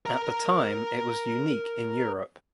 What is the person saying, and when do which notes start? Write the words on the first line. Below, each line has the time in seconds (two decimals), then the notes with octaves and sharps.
At the time it was unique in Europe.
0.06 A#4 A#5